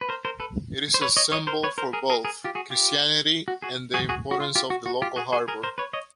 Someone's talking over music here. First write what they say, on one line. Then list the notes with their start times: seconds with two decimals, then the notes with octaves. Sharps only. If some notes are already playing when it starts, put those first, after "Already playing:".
It is a symbol for both Christianity and the importance of the local harbor.
0.01 B4
0.09 A#4 C5
0.25 A#4 C5
0.40 A4 B4
0.94 C5
1.01 B4 C#5
1.17 C#5 D#5
1.32 C#5 D#5
1.47 A#4 C5
1.63 B4 C#5
1.78 A#4 C5
1.93 G#4 A#4
2.10 G#4 A#4
2.25 G#4 A#4
2.44 F4 G4
2.55 F#4 G#4
2.70 F4 G4
3.48 F#4
3.62 F#4 G#4
3.94 F#4 G#4
4.09 F#4 G#4
4.31 F#4
4.40 F4
4.55 F4 G4
4.70 F#4
4.86 F#4
5.02 F4 G4
5.16 F#4 G#4
5.33 F#4 G#4
5.48 G#4 A#4
5.63 A#4 C5
5.78 B4 C#5
5.93 C#5 D#5